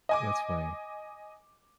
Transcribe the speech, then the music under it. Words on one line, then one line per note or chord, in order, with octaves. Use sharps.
That's funny.
D#5 G#5 D6